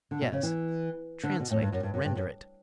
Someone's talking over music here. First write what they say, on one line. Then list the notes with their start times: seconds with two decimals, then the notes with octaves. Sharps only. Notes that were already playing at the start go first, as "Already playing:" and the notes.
"Yes, translate, render it."
0.11 D3
0.21 B2
0.33 C#3
0.43 E3
1.23 D3
1.40 B2
1.51 A2
1.61 G2
1.72 F#2
1.83 G2
1.94 F#2
2.05 G2
2.15 F#2